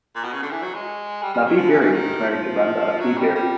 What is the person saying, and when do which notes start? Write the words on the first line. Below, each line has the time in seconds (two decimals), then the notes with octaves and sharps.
Nabih Berri is married to Randa Assi Berri.
0.16 A#2
0.24 B2
0.33 C#3
0.43 D3
0.51 E3
0.63 F#3
0.74 G#3
1.23 G3
1.34 G3
1.46 F#3
1.58 F3
1.70 E3
1.81 E3
1.94 D#3
2.28 F3
3.00 F#3
3.18 G3
3.36 G3